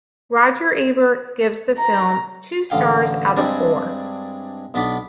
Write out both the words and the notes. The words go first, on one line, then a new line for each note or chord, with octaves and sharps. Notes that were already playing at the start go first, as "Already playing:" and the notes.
Roger Ebert gives the film two stars out of four.
A#5
A1 D3 F5 G5
G2 G3 G#3 C4 D4
B1 B3 D4 B5 D6